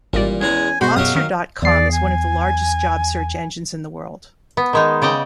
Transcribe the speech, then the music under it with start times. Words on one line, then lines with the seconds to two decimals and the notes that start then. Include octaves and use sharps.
Monster dot com is one of the largest job search engines in the world.
0.13 G#1 A#2 E3 G3 A#3 D5
0.41 E2 G#3 C#4 G#5 A#5
0.81 B2 F#4 G#4 C5 B5 C#6
0.96 F#2 F#3 G4 F5 D#6
1.15 D#3 F5
1.62 E2 G#4 D5 C7
1.92 G#5
4.57 B3
4.73 D#3 G#3 D#4
5.02 C#3 D5 D#5 G5